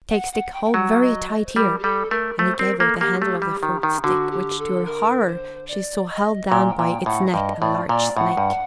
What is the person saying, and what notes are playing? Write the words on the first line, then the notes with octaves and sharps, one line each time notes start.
"Take stick, hold very tight here," and he gave her the handle of the forked stick which, to her horror, she saw held down by its neck a large snake.
F#5
F#5
G5
G5
F#3 F#5
D#5
D#5
C5
G3 A#4
G4
G3 A4
A3 A#4
A3 C5
C4 A#4
A#3 A4
A#3 G4
A3
G3
D#3
D#3
D3 F#4
G4
A4
A#4
C5
D5
D#5
A#2 G5
G5
A#2 G5
A2 F#5
F#5
G2 D#5
A2 D5
A#2 D5
A2 F#5
G2